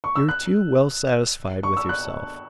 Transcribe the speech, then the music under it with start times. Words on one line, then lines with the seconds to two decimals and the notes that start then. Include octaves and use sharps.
You're too well satisfied with yourself.
0.04 C#6
0.16 E6
0.29 F#6
1.63 C#6
1.77 E6
1.89 F#6